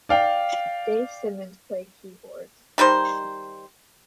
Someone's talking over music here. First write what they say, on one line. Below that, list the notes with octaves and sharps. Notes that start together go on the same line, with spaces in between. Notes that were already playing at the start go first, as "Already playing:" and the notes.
Dave Simmons played keyboards.
D5 F5 G5
D#3 G3 D#4 C5